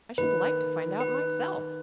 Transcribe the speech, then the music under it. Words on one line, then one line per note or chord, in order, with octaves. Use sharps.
"I should like to find out myself."
D#3 A#3 E4 B4
B4